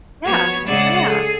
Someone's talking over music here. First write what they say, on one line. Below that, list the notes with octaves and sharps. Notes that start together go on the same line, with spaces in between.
Yeah. Yeah.
F3 B3 F#4 C#5 C#6 G#6
C#3 G#3 G#4 D5 F#5 E6
G#4 A4